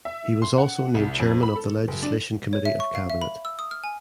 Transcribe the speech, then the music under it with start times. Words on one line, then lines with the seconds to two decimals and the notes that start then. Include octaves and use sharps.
He was also named Chairman of the Legislation Committee of Cabinet.
0.05 E5
0.42 C6
0.58 F#5
0.95 C2
1.20 F2
1.43 B5
1.56 A4
1.88 F#1
2.03 D4
2.53 C#5
2.65 E5
2.80 C#6
2.95 F5
3.10 E5
3.22 B5
3.45 E6
3.59 D#6
3.71 F6
3.84 G#5